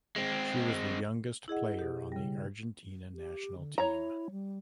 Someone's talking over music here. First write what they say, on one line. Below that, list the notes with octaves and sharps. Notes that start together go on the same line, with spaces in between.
She was the youngest player on the Argentina national team.
G#3 C4
E4 G#4 D#5 F#5
B2 G4
C#3 G3
G4
D3
E4 C#5 A#5
G3